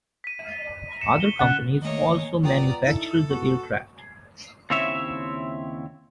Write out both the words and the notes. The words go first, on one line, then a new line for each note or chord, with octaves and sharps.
Other companies also manufactured the aircraft.
B6 D#7
C#7 E7
C#6 G7
C#3 F#5 F#6 A6
D#3 A3 A#3 C#5 D#5
B3 F4 D5 G5 A#5 D#6
D#4 E4 A4
B3 F#4
D#2 C#3 C4 E4 C#5 E5